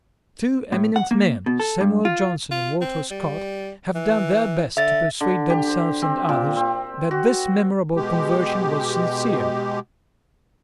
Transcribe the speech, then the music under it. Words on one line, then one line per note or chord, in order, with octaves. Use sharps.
Two eminent men, Samuel Johnson and Walter Scott, have done their best to persuade themselves and others that this memorable conversion was sincere.
A2
F#5
A#3
B2
A4
G2
F4
F4
C4
G3
E3
D3 E5 A6
D3
G4
C5
C4
A#2
C4
F#4
B2 G#3 G4